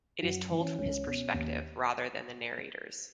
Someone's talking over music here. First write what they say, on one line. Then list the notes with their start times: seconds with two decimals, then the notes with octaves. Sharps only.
It is told from his perspective rather than the narrator's.
0.22 F#2 F#4
0.51 E3
0.60 C#4
0.78 C#2 C#4
1.06 B2
1.34 D#2